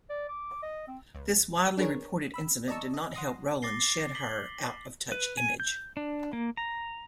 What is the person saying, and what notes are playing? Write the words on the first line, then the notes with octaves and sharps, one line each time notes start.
This widely reported incident did not help Rowlands shed her 'out-of-touch' image.
D5
D6
D#5
C4
C#2
D4 G#4 A#4 B4 C#5
B5 E6
D5 D#5 A5 A#5 C#6 E6
D#5
F#5 C6 D#6 A#6
D6 A6 A#6 C7 G7
B6 F#7 G7
B4
G#5
G6
D4
A#3
A#5